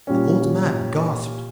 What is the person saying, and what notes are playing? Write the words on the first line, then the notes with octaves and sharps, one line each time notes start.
The old man gasped.
A#2 G3 C#4